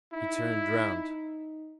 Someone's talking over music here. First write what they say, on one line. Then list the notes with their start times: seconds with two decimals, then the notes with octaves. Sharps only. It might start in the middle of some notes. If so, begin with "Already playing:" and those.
He turned round.
0.13 D#4 E4